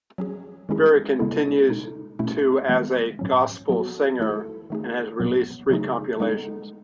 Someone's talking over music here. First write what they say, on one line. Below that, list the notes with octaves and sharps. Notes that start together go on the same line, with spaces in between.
Berry continues to as a gospel singer, and has released three compilations.
F#3 C#4 G#4
D#3 G#3 C#4 E4 G#4
C#3 G#3 B3 E4 A4
B2 G#3 D#4 A4
B2 A3 C#4 E4
D#3 G#3 B3
A2 F#3 C#4
F#3 B3 F#4 A4
D#3 A3 E4 A4
D#3 A3 D#4 G#4
B2 F#3 B3
C#3 F#3 A3 D#4 G#4
G#3 B3 D#4 A4